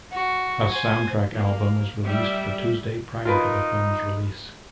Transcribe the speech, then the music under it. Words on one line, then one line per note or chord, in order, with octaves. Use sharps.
A soundtrack album was released the Tuesday prior to the film's release.
F#4
C5 G#5
A#3
G3 E5
D#4 F4 A#4 B4